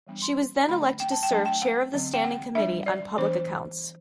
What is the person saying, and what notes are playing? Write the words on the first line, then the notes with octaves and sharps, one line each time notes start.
She was then elected to serve chair of the Standing Committee on Public Accounts.
E3 G3 B3 D4
C6
D3 F#3 A3 D4 B5
G5
A5
G5
F#3 A3 D4 A5
G5
F#5
D3 F#3 C4
G5
F#5
G3 D4 E5
D5
E3 B3 D4 C5